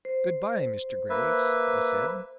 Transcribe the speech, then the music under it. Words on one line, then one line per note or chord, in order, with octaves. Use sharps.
"Good-bye, Mr. Graves!" I said.
C5
A#3 B4 E5